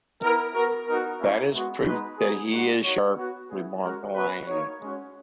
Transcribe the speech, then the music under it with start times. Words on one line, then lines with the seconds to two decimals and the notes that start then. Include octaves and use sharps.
"That is proof that he is sharp," remarked the Lion.
0.22 B3 E4 A#4
0.54 B3 F#4 A#4
0.88 B3 D#4 F#4 A#4
1.20 A#3 C#4 E4
1.54 G#3 B3 F#4
1.86 G#3 B3 D#4 F#4 B4
2.19 B3 D#4 F#4 G#4
2.51 G#3 D#4 F#4
2.84 A#3 D#4 F#4 C#5
3.16 B3 F#4
3.49 B3 E4 G#4
3.82 G#3 C#4 F#4 A#4
4.14 B3 F#4 B4
4.47 A#3 D#4 F#4 C#5
4.80 G#3 C#4 F#4